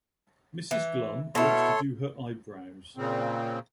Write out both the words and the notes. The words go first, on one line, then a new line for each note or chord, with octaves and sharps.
Mrs Glum wants to do her eyebrows.
E3
B2 E4 A4 C#5 C6
A#2 C#3 C4